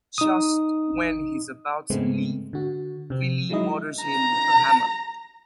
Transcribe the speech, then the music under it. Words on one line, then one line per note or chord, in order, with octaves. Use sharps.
Just when he's about to leave Billy murders him with a hammer.
D#4 D#6
G#2 C#3 G#3 A3 B3 C4
D3 F#4
C3 C4
F3 F#3 G#3 D#4 E4 D#5
A#5